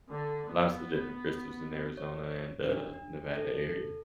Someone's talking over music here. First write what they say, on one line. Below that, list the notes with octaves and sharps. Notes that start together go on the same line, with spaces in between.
Lots of different crystals in Arizona and, uh, Nevada area.
D3
B3
C#5
D4
D4
A4